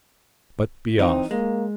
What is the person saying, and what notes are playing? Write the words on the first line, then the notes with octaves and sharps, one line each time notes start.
But be off!
E3 C4 D#4
G#3 A#3